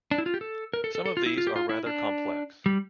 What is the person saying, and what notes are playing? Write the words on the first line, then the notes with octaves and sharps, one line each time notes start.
Some of these are rather complex.
D4
E4
F4
G4
A4
A#4
A4
A4
A4
F4
E4
F4
G4
F4
E4
D4
G3